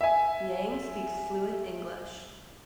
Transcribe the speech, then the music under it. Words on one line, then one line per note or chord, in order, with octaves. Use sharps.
Yang speaks fluent English.
E5 G#5